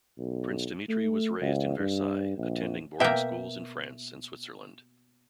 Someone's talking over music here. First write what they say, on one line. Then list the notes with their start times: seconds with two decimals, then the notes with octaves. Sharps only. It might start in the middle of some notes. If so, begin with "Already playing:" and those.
Prince Dimitri was raised in Versailles, attending boarding schools in France and Switzerland.
0.18 B1
0.89 A3
1.41 C#2
1.79 G2
2.37 A#1
3.00 B2 A#3 E5 G5